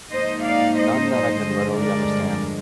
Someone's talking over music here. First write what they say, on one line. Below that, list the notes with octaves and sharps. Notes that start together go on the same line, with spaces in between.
None that I could readily understand!
G#2 F3 A#3 D#4 C5 D#5
D5 F5
C5 D#5
G2 D3 F3 G#3
A#4 D5